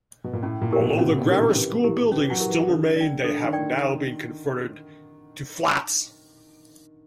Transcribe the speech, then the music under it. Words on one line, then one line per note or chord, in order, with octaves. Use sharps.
Although the Grammar School buildings still remain they have now been converted to flats.
B2
A#2
A2 C#4
A#2
E4 G4 A#4
B2
C3 C#4
C#3
D3 E4 G4 A#4
D#3
E3 C#4
E4 G4 A#4
E3 C#4
F#3
E4 G4 A#4
E3
D3 A4
D5 G5
D3 A4
D#3
D5 G5